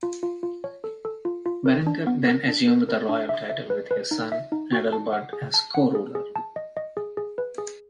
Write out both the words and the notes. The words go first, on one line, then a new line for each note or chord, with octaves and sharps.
Berengar then assumed the royal title with his son Adalbert as co-ruler.
F4
F4
F4
C#5
A4
A4
F4
F4
A#4
D4
B3
A#4
D4
A#4
A#4
D4
E5
E5
B4
B4
D#4
E5
D#4
F#4
A5
F#5
G#4
A5
F#5
G#4
G#4
A5
D#5
D#5
G#4
G#4
B4
G#4